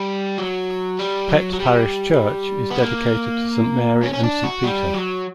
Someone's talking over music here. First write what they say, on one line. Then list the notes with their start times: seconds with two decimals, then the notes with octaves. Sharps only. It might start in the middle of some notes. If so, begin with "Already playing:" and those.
Pett parish church is dedicated to Saint Mary and Saint Peter.
Already playing: G3
0.38 F#3
0.99 G3
1.29 F#3
1.53 F#3
1.60 G3
2.71 B3
2.81 A#3
4.03 C#4
4.13 C#4
4.23 D4
4.44 F#4
4.64 G3
4.94 F#3